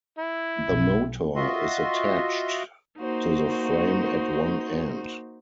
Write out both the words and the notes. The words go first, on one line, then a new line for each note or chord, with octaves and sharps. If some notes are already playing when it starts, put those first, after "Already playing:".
The motor is attached to the frame at one end.
E4
B1
F4 F#4 D#5 E5 C6
A#3 D#4 F#4 C5